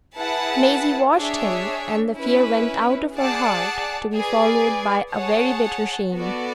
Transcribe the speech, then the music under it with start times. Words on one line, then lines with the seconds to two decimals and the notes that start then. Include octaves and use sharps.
Maisie watched him, and the fear went out of her heart, to be followed by a very bitter shame.
0.16 E4 G#4 B4 F#5 A5
1.16 D4 G#4 C#5 E5
2.16 C#4 E4 B4
3.14 G#4 D5 F#5 A5
4.14 G#4 B4 D5 G#5
5.13 G#4 C#5 F#5 A5
6.13 B3 F#4 A4 D5